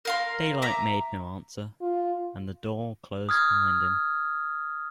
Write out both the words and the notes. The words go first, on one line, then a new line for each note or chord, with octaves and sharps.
Daylight made no answer, and the door closed behind him.
A#4 F5 C6
E5 A#5 D6
F4
D#6 F6 G#6